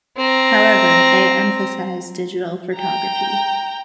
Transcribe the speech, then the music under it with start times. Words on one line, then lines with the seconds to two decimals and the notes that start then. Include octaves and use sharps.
However, they emphasize digital photography.
0.17 C4 A#5
2.76 G5 A#5